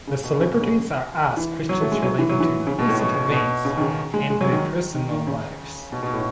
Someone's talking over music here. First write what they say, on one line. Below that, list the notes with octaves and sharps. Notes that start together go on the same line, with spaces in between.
The celebrities are asked questions relating to recent events and their personal lives.
C#3
B2
C#3
B2
C#3
E3
F#3
A3
G#3
F#3
E3
F#3
E3
C#3
B2
A2
B2
B2
B2
C#3
D#3
C#3
G#3
G#3
F#3
D#3
D#3
D#3
C#3
B2
B2
A2